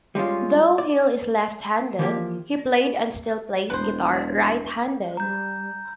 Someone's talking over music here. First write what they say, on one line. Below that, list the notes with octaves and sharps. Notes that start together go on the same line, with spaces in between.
Though Hill is left-handed, he played and still plays guitar right-handed.
G3 G#3 C#4 F4
D5
E3 F3 A#3 G4
E1 B4 C5
G3 A#5 G6